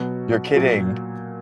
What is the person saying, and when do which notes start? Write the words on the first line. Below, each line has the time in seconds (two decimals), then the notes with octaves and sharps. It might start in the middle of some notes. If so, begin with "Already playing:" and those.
You're kidding.
Already playing: B2 F#3 B3 F#4
0.56 A#2 F#3 A#3